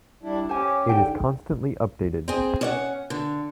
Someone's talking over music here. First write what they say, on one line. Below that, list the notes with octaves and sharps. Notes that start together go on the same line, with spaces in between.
It is constantly updated.
G3 D4 E4
C#4 G4 C5 G#5
G#2 D3 G4 G5
C4 G#4
C#4 D5 F#5
D3